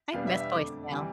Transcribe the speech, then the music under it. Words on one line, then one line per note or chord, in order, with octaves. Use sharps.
I miss voicemail.
E2 B2 G3 B3 D4 F5
E5
E5
F2 D3 A3 D6
C3 E3 G3